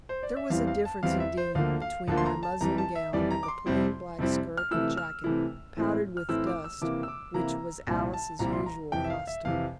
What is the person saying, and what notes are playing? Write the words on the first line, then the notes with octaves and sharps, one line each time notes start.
There was a difference indeed between my muslin gown and the plain black skirt and jacket, powdered with dust, which was Alice's usual costume.
C5
D5
E5
E2 E3 G3 C4 E4 F5
F5
A5
E2 E3 G3 C4 E4 F5
E5
C5
D2 D3 F3 A#3 F5
F5
D2 D3 F3 A#3 A5
C6
A#5
A5
F2 E3 G3 A#5
A5
E5
F2 E3 G3 D5
A#5
D6
C6
F2 C3 G3 C4 E4
F2 C3 G3 C4 E4
F6
C3 E3 A3 E4 E6
F6
C3 E3 A3 E4
A2 E3 A3 C4 E4
F6
A2 E3 A3 C4 E4 E6
D6
E6
C3 E3 A#3 E4 D6
E6
D6
C3 E3 A#3 E4 A#5
C2 A#2 G3 C4 E4 A5
A5
C2 A#2 G3 C4 E4 A#5
C6
A#5
F2 C3 E3 G5
E5
F5
E5
F2 C3 E3 F5